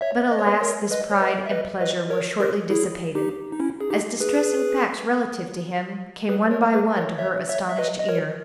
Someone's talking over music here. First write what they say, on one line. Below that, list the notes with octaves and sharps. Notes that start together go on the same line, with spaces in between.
But, alas! this pride and pleasure were shortly dissipated, as distressing facts relative to him came one by one to her astonished ear.
C#5 E5
D#5
C#5
B4 D#5
A#4 C#5
B4 D#5
C#5
B4 D#5
E5
B4 D#5
B4 D#5
A#4 C#5
G4 A#4
E4 G#4
D#4 G4
D#4
C#4 E4
G#4
D#4 G4
G#4 B4
G#4 B4
A#4 C#5
G#4 B4
A#4 C#5
C#5 E5
C#5 E5
E5
B4 D#5
D#5
A#4 C#5